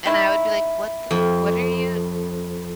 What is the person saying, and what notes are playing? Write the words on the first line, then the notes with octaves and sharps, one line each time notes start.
And I would be like, "What the what are you
D#3 E4
F2